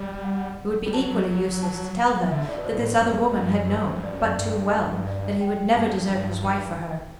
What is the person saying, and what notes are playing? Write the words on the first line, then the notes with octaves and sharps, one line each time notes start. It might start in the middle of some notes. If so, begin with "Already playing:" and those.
It would be equally useless to tell her that this other woman had known, but too well, that he would never desert his wife for her.
Already playing: G3 D5
F#5
G3
F#3 A5
A5
F#5
D3 E5
A2 D5
B2 B4
C5
B2
A2
C5
F#2 B4
G2
F#2
G2
F#2
G2 B4
F#2 C5
G2
D5
F#2
D5
G2
D5
G5
G2 A5
F#2
G2
G5